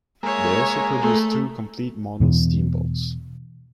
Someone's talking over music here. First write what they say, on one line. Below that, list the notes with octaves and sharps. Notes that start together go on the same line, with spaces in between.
They also produced two complete model steam boats.
G#3 A#3 C#5 E5
A3
E2 B2 E3